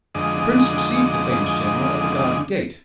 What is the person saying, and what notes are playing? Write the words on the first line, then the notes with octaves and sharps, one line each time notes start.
The prince received the famous general at the garden gate.
F2 D3 G#3 D#5 D6 D#6